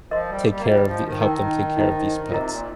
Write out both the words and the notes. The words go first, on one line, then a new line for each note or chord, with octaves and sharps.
take care of the help them take care of these pets.
F3 A#4 D#5 C6
G3
A#3
G3
A#3
G3 F4 C5 D#5
D#3
F3
D#3
D#4 A#4 G5 A#5
D#4 C5 D#5 A#5
F2
G2
A#2
C3 F4 A#4 D#5 A#5
A#2